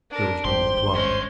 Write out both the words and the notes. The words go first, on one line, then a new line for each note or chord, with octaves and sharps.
There was no reply.
D4 A#4
G#1 G2 G4 C5 C6
G#3 C#4 C5